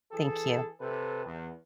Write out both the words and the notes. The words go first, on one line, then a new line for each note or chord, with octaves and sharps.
Thank you.
E3 G#4 A4
C3 A4 B4
E2